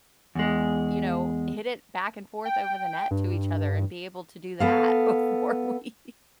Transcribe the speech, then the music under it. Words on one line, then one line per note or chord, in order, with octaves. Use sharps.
you know, hit it back and forth over the net to each other and be able to do that before we"
E2 G#3
G5
G2
B3 A4 F5